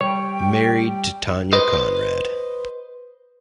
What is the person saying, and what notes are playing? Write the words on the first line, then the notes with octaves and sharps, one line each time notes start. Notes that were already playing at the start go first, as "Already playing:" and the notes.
Married to Tanya Conrad.
G3 C#5 G5
B4 C5 D#5